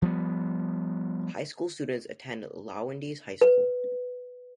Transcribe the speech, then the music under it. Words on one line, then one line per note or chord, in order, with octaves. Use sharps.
High school students attend Lowndes High School.
F3 G3 B3
B4